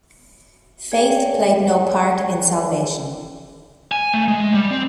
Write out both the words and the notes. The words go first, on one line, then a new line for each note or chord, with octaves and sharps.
Faith played no part in salvation.
G#4 C#5 D5 G5 G#5
G#5
A3
G#3
G3
C4